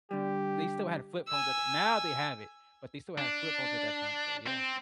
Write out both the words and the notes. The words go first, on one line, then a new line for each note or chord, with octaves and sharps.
they still had flip phones at the now, they have it, but they still had flip phones at that time, so yeah.
D3 G3 G4
G#5 E6
D4
C4